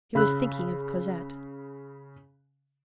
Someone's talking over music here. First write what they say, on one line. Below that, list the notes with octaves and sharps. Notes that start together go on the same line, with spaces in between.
He was thinking of Cosette.
C#3 B5 E6 F#6